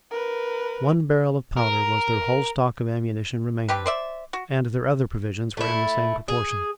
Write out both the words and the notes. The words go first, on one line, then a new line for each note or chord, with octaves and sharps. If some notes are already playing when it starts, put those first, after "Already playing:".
One barrel of powder was their whole stock of ammunition remaining; and their other provisions were in the same proportion.
A#4 B4
A#4
C4 D4 G4 B4
C5 D5 E5
F#4
A3 E4
G#4